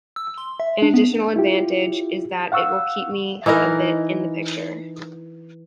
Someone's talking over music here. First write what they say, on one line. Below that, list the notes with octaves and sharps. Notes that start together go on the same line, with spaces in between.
An additional advantage is that it will keep me a bit 'in the picture'.
E6
C6
E5
D4
B3
E4 F4 G4
F5 F#5 C#6 E6
E3 D#4 E4 A#4